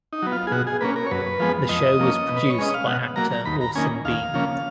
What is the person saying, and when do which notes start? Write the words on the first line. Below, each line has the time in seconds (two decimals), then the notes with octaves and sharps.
The show was produced by actor Orson Bean.
0.13 D#4
0.22 F#3 B3
0.32 F4
0.47 G#4
0.51 B2 F#4
0.67 G#4
0.81 A#3 C#4 B4
0.96 A#4
1.07 C#5
1.11 F#2 B4
1.40 F3 G#3 B3
1.69 F2 D#5
2.00 F3 A#3 C#4
2.29 B2
2.37 B4
2.50 C#5
2.58 G#3 C#4 D#5
2.74 F5
2.87 B2 F#5
3.16 F#3 A#3 A#5
3.31 A#5
3.45 D#2 B5
3.61 A#5
3.75 D#3 A#3 C#4 G#5
4.05 D#2 F5
4.34 C#3 F3 A#3 C#4